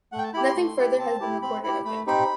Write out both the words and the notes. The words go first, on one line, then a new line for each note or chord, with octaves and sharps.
Nothing further has been recorded of him.
A3 F#5
G5
A5
E4 G4 B5
C6
A3
E4 G4
C4 A5
E4 G4
C4 B5
E4 G4 B5
A3 B5
C4 D#4 G4 B5